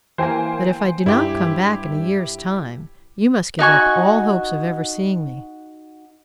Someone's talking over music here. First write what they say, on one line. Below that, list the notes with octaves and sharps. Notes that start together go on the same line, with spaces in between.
But if I do not come back in a year's time, you must give up all hopes of ever seeing me.'
E3 A#3 C5 G5 G#5
G2 E4 G4
D#4 F#4 G#5 C#6